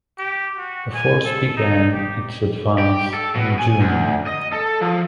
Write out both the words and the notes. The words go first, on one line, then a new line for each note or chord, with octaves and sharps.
The force began its advance in June.
G4
F#4
G#5
A4
D#4
G4
G4
A4
B2
G#5
D2
D#5
A4
F3